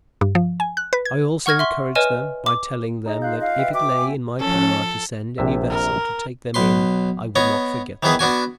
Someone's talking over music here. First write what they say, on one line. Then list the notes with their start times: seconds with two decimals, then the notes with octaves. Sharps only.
I also encouraged them, by telling them that if it lay in my power to send any vessel to take them in, I would not forget them.
0.21 G2
0.35 F3
0.60 G#5
0.77 F#6
0.93 B4
1.05 G#6
1.46 F#5 C#6 F6 G#6 A#6
1.59 E5 C6 C#6
1.95 B4 C#5 D#5 G#5 F6 E7
2.46 D6
3.06 D#4 G#4 D#5
3.22 F4 F5 F#6 G6
3.41 D#5 F5 F#6
3.58 B4 E5 G5
3.74 F#4 E5 G5 D6
3.98 B3 G#5
4.41 F3 C#4 A4
5.38 A#1 C3 E5
5.70 A#4
6.54 B1 B4 C6
7.36 B3 C#5 D#5
8.03 D#3 E3 B3 G#4 B4
8.19 B3 D4 F#4 G#5